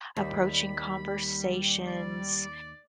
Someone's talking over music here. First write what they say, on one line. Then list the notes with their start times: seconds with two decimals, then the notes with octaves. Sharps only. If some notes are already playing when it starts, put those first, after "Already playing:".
approaching conversations,
0.17 D#2 G3 B5
1.87 D5